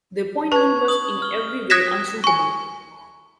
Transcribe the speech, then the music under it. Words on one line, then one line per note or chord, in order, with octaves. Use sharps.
The appointment was in every way unsuitable.
B4 A5 C#6 G#6
D#6 F#7
F6 G7
D#6 F#6 G#6 A#6 B6 E7
G#5 C#6